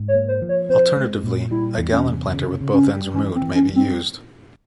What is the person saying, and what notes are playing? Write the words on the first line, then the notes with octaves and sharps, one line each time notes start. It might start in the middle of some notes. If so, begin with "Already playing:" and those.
Alternatively, a gallon planter with both ends removed may be used.
Already playing: G#2
C#5
A#3
C5
F3
C#5
C4 C5
G#3
A#2
G3 E4
E2
C#4
C3
C#3
C#3
C#4
G3
E3 C#4
C4
E3
C#4
G3
C4